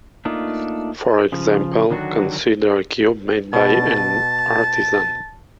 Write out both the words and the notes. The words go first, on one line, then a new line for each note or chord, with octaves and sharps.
For example, consider a cube made by an artisan.
A3 A#3 D4 D#4 F4
C#3 F3
D3 D#3 F#3 D4 F#4
B2 A5